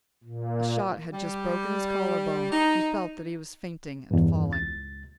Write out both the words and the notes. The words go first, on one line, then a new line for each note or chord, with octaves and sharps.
A shot had just broken his collar bone, he felt that he was fainting and falling.
A#2
G3
D#4
E2 G2
C#2 A6